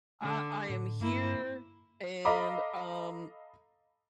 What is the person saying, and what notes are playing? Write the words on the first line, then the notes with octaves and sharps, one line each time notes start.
I I am here, and, um
D3
A2
G2 A#3 E4
A4 D#5 F5 A#5 B5 D6